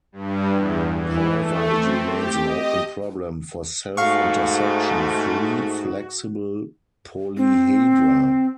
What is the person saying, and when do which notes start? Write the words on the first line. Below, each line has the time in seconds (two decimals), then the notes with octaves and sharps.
However, it remains an open problem for self-intersection free flexible polyhedra.
0.12 G2
0.52 E2
0.95 E3
1.35 A3
1.78 C4
2.09 G4
2.46 D#5
3.97 G#2 A3 F#4 F5 C#6
7.37 C4